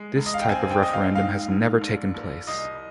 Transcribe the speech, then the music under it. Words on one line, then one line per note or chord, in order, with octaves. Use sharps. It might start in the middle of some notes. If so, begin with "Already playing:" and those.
This type of referendum has never taken place.
Already playing: G#3
F1
D#5
F5
G5
C4 G#5
G5
A#1 D#5
F5
G#2 F5
G#2
A#1
A#1
C2 D#5